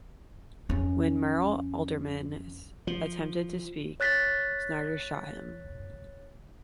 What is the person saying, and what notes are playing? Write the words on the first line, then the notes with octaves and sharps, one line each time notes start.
When Myrl Alderman attempted to speak, Snyder shot him.
F2 C#4
F3
C#5 F#6 A6 B6